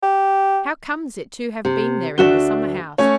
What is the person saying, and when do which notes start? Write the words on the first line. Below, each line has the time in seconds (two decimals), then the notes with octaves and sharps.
How comes it to have been there in the summer-house?
0.03 G4
1.65 C3
2.18 D2 D4 F#4 E5 G7
2.98 A3 C#4 C#5